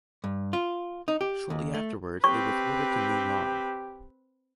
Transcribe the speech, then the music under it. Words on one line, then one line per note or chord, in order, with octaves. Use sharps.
Shortly afterwards it was ordered to move on.
G2
F4
D#4
G4
D#2
A3
C4 G4 B4 C#6